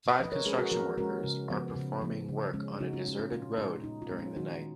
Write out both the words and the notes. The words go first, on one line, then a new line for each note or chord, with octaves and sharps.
Five construction workers are performing work on a deserted road during the night.
F3 B4 D#5
A#4 C#5
G#3 C#4 G#4 B4
F#4 A#4
F3 F#4 A#4
G#3 C#4 F#4 A#4
C#3
F3 B3
C#3
F3 B3
C#3
G#3 C#4
C#3 D#4 F#4
C#4 F4
G#3 C#4 D#4
C#4 F4
A#2 C#4 F4
G#3 B3 D#4
A#2 D#4
C#4 F4
G#3 B3
C#4 F4
D#3 D#4 F#4